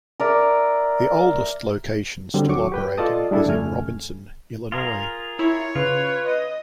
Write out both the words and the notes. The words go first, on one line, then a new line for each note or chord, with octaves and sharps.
The oldest location still operating is in Robinson, Illinois.
A#4 D5 E5
D3 F#3 G3 C4
D#2 F#3 C#6 D6
G4 B4 G5
F4 A4 D5 D#5 A5 D#6
G3 D4 E4 G#4 A4
F2 C#3 A3 G#5 F6
F4 G#4 A#4
E4 C#5
C#3 F4 B4
D#5